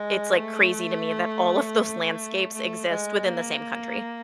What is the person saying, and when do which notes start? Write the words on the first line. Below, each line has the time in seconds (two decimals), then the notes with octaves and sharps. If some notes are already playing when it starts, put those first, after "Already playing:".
it's, like, crazy to me that all of those landscapes exist within the same country.
Already playing: G#3
0.37 A3
2.54 A3
2.89 G#3
3.26 A#3